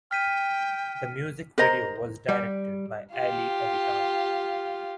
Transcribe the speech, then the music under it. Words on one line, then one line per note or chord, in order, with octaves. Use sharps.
The music video was directed by Allie Avital.
G5 F6 B6 D#7
A#4 C5 D#5 A#5
G3
F4 G4